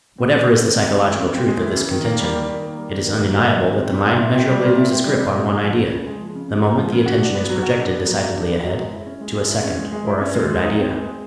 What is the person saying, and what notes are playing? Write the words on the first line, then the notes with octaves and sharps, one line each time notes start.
Whatever is the psychological truth of this contention it is undeniable that the mind measurably loses grip on one idea the moment the attention is projected decidedly ahead to a second or a third idea.
C4
G#3
E3
C#3
C4
G#3
E3
C#3
C4
G#3
E3
C#3
D#3
A#3
G3
D#3
D#3
A#3
G3
D#3
D#3
A#3
G3
D#3
E4
C4
G3
A#2
E4
C4
G3
A#2
E4
C4
G3
A#2
C#3
G#3
F3
C#3
C#3
G#3
F3
C#3
C#3
G#3
F3
C#3
F#4
D4
B3
F#3
F#4
D4
B3
F#3
F#4
D4
B3
F#3
G#3
E4
C#4
G#3
G#3
E4
C#4
G#3
G#3
E4
C#4
G#3
G#3
D#4
C4
G#3
G#3